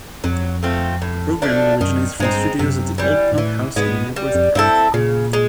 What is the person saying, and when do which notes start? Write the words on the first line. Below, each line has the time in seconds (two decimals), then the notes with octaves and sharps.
Programming originates from studios at the Old Pump House in Knebworth Park.
0.24 F2 F#3
0.63 A3 C4 F4
1.02 A2
1.42 F3 A3 D4
1.81 F#2 D#3
2.20 G2 G#3 C4 D#4
2.59 F#2 C3
2.98 E3 G3
3.32 G#2
3.37 A2 E3
3.76 G#2 G#3 B3
4.16 G3
4.35 F2
4.55 G2 C4 E4 A4
4.94 A#2 C#3
5.33 G#3